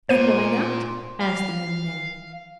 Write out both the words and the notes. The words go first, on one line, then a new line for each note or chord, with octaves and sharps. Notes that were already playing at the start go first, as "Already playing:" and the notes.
"And why not?" asked the young man.
A#2 C5 D#7
F5